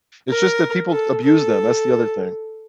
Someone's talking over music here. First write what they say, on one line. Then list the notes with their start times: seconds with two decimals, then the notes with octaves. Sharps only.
It's just that people abuse them, that's the other thing.
0.30 A#4
0.92 A4
1.23 A4